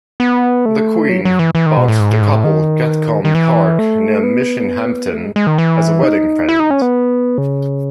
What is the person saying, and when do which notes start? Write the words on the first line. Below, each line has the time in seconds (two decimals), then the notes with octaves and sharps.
The Queen bought the couple Gatcombe Park near Minchinhampton as a wedding present.
0.20 B3
0.65 A3
1.09 F#3
1.25 F#3
1.39 E3
1.55 E3
1.66 D#3
1.77 B2
1.88 A2
2.00 G#2
2.11 A2
2.21 G#2
2.34 A2
2.44 D#3
3.25 D#3
3.35 E3
3.79 A3
4.23 B3
5.13 A3
5.24 G#3
5.36 G#3
5.47 D#3
5.58 E3
6.03 D#4
6.49 E4
6.60 D#4
6.70 C#4
6.82 B3
7.38 C#3